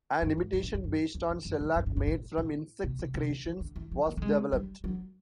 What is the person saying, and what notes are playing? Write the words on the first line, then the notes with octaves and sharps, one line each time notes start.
An imitation based on shellac made from insect secretions was developed.
G2
G#2
G#2
A2
G#2
F#2
E2
F2
F#2
G2
G2
G#2
G#2
A2
A2
B2
C3
C3
D3
D#3
D3
E3
F3
A#3
A3
G#3
G3
F#3